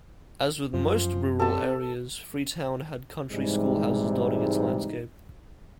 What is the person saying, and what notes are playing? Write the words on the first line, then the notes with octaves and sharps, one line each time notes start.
As with most rural areas, Freetown had country schoolhouses dotting its landscape.
F#2 F3
C3 A4 A5
G#2 C3 E3 G3 G#3 D#4